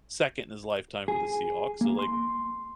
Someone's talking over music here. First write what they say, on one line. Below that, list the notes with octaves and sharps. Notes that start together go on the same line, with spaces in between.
second in his lifetime for the Seahawks, so like
G#4
A#3
C6